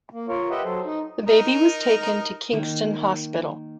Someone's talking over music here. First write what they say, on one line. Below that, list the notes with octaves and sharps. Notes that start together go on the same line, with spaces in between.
The baby was taken to Kingston Hospital.
A#3
F4 A#4 C#5
G4 B4 D#5 E5 F#5 G5
F#3 A4 C5
D#4
D#4 A#4 D#6
D#3 A#3